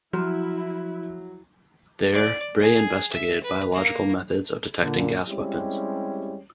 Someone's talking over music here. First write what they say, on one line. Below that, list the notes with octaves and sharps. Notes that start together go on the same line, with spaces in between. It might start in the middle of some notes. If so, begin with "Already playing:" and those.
There Bray investigated biological methods of detecting gas weapons.
F3 F#3 E4
D5
G#4
E5
B4
A#3
A#2 D3
G3 G#3 C4 C#4 E4 G4